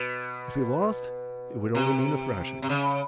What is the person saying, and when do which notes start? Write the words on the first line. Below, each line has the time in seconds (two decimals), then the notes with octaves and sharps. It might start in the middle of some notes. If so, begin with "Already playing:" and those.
If he lost, it would only mean a thrashing.
Already playing: B2
1.75 C3
2.62 C3
2.69 C#3